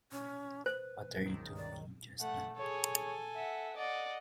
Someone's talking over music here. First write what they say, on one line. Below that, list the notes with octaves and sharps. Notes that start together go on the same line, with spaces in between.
What are you doing just now?
C#4
B4 C5
C#2 D#3
D5
A3 F#5
G#4 A4 C#5 G#5
E5 F#5
D5 D#5 F#5